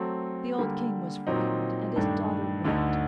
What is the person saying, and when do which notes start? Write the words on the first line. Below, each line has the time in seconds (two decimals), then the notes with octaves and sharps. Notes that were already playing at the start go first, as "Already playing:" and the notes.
The old King was frightened, and his daughter wept.
Already playing: F#3 A3 C4
0.58 D3 G3 A#3
1.27 A#2 F#3 C4 D#4
1.96 G2 D#3 A3 D4
2.65 D2 D3 A3 D#4